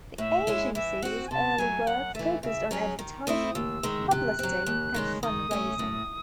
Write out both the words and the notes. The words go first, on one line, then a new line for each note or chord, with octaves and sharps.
The agency's early work focused on advertising, publicity, and fundraising.
A2 E5
G#3 C#4 E4
E3 E5
C4 F#4 F#5
G#5
C3 A5
F#3 A3 G#5
F#2 F#5
E3 A3 E5
C#3 E5
F#3 C#4 G#4
D#3
A3 C4 E4 D#6
D#2 E6
D#3 G#3
C3 F#6
F#3 C4
D#2
D#3 G#3 C#4
D#3 D#6
A3 C#4
A2